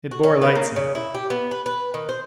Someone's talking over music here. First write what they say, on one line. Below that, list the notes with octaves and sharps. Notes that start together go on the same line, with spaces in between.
It bore lights now.
F#4
C#4
B3
A#3
C#3
E4
G4
B3
B4
B4
D#3
C5